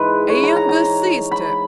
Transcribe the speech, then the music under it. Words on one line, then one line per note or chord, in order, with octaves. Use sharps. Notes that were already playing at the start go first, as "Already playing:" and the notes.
A younger sister!
Already playing: G#2 E3 G#3 B4
C#5
A#5
A#5
A#5
B5